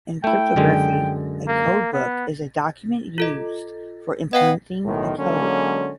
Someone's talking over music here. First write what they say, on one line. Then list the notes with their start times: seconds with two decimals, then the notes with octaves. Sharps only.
In cryptography, a codebook is a document used for implementing a code.
0.24 A3 E4 G5
0.56 F#2 D3 G#3
1.47 A#3
1.93 B3
3.18 F4 A4 D#5
4.33 B3 D#5 F5 G5
4.84 B1 A2 D#3
5.17 D3 F#3 G#3 A#3 C#4